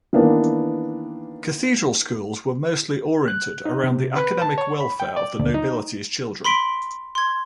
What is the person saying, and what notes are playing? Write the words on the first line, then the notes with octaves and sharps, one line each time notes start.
Cathedral schools were mostly oriented around the academic welfare of the nobility's children.
D#3 E3 A#3 B3 D4
F#6
D#4
C3
B4
A5
C#5
B5
G5
D5
D2
D#4
B5 C6 B6 D7
C6 G#6